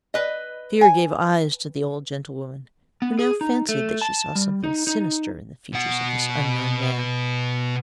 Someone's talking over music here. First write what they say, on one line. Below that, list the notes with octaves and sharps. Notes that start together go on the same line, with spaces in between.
Fear gave eyes to the old gentlewoman, who now fancied that she saw something sinister in the features of this unknown man.
B4 D#5
G#5
B3
G#4
D#4
A3
A5
G3
D#4
D#4
B2 F#5